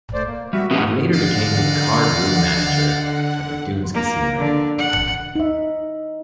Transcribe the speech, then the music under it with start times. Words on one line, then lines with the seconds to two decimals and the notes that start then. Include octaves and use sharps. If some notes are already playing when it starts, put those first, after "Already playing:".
He later became the card room manager at the Dunes casino.
0.14 A3 C5 D5
0.27 A#3
0.53 G3 F#4 E5
0.71 D#2 B2 A3 C#4 G4 B4
1.14 D3 D5 D#5 F5 F#5
3.95 A#3
4.38 D3
4.79 F#5
5.35 D#4 E5